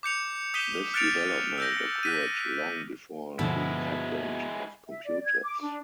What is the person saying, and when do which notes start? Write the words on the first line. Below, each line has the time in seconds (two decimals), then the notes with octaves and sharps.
This development occurred long before the advent of computers.
0.03 D6 G6 C#7 F7
0.54 D#6 G6 B6 D#7 E7 G7
0.94 F6 F#6 A6 C#7 D7 F7
1.58 E6 G6 A#6
2.03 F#6 B6 D#7
3.39 G2 B2 D3 F3 G#3 E4
4.88 E5
5.05 D5
5.24 G#6
5.43 D6
5.61 D4